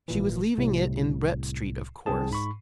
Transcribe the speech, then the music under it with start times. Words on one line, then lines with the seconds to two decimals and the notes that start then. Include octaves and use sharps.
She was leaving it in Brett Street, of course.
0.08 G#1 A#2 E3
0.58 C2 A2 C3
2.06 C2 C4 G#4 A5
2.31 G#2 B5 C#6